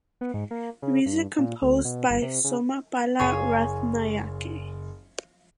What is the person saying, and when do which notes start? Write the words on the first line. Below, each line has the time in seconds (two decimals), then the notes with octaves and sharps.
Music composed by Somapala Rathnayake.
0.21 B3
0.34 G#2
0.51 A#3
0.82 C#3
1.06 G2
1.38 A#2
1.62 D2
1.85 B2
2.09 G1
2.22 C3
2.44 C#3
3.19 F#1 G#4 C#5 F5